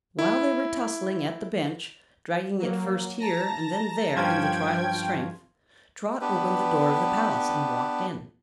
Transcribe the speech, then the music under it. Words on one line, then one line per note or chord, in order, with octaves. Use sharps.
While they were tussling at the bench, dragging it first here and then there in the trial of strength, Trot opened the door of the palace and walked in.
E4
F#3 A#3
A5 A#5 A#6
G2 F3 C#4 G5 G#6
B3 D4 G4 B4